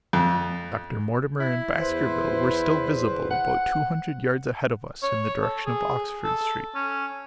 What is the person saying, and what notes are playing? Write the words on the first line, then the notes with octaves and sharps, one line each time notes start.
Dr. Mortimer and Baskerville were still visible about two hundred yards ahead of us in the direction of Oxford Street.
F2
E4
E2 B4 C5
F#5
C#5
A4
G#4
A4
C#4